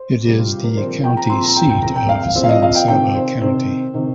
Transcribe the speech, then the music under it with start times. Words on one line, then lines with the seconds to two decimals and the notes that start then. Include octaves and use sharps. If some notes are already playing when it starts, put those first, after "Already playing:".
It is the county seat of San Saba County.
Already playing: C5
0.24 C3 G3 C4 G4
0.38 F4
0.51 G4
0.64 A#4
0.77 A#2 F3 C4 C5
1.04 G5
1.17 A#5
1.29 A#2 F3 C4 C6
1.44 A#5
1.56 G5
1.69 G5
1.82 A#2 F3 C4 A#5
1.96 G5
2.09 F5
2.35 A#2 F3 C4 C5
2.44 F5
2.49 D#5
2.62 F5
2.75 G5
2.88 C3 D#3 C4 G5
3.15 C5
3.41 C3 D#3 C4 C5
3.94 C3 D#3 C4